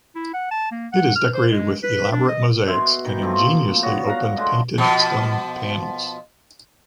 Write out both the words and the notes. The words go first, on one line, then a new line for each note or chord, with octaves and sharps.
It is decorated with elaborate mosaics and ingeniously opened painted stone panels.
E4
F#5
A5
A#3
F#5
F6
C5
G#3
B4
D4
D#5
B2 E5 C6
D#3 E3 G5
F3 A3 A#3 C4
B3 F#4 C#5 D5
F5 F#5 A#5
D3 G#3 A3 D4
B2 F3